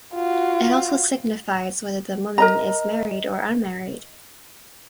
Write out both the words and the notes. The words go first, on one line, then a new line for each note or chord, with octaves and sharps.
It also signifies whether the woman is married or unmarried.
F4 F#4
A#4 D#5 A#5